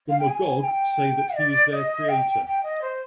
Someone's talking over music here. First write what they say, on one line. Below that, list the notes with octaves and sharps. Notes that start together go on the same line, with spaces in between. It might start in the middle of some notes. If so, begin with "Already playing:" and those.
The Magog say that he is their creator.
F5
G5
G#5
G5
D5
D#5
G5
G5
D#5
C5